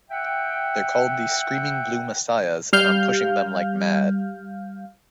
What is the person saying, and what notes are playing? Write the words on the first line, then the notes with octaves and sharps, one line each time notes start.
They're called The Screaming Blue Messiahs and I'm pushing them like mad.
E5 F#5 G5
G3 F5 F6 G6